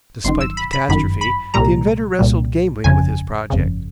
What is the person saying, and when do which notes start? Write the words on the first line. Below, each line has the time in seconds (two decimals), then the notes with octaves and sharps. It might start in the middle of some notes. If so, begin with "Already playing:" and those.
Despite catastrophe the inventor wrestled gamely with his project.
0.24 G1 F#2 D#3 C6
0.41 E6
0.57 B5
0.73 B5
0.89 G1 F#2 D#3 B5
1.21 B5
1.54 C2 A#2 G3 A#5
2.19 C2 A#2 G3
2.84 G1 F2 C#3 G#5
3.50 G1 F2 C#3